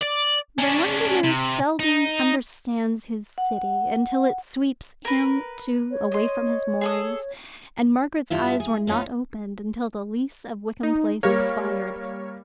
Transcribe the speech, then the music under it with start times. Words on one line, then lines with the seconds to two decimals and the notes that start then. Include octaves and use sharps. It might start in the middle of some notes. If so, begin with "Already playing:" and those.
The Londoner seldom understands his city until it sweeps him, too, away from his moorings, and Margaret's eyes were not opened until the lease of Wickham Place expired.
0.01 D5
0.58 C#4 D4
1.24 C3
1.79 D#4
3.38 F#5
5.05 A#4 B4
5.91 C#5
6.12 D#5 C6
6.81 G#4 A4 D#6
8.30 G2 E4 F4 E5
8.60 G#4
8.87 A3 B3 C#4 D#4 F4
10.83 D#4
11.23 G3 A#3 C#5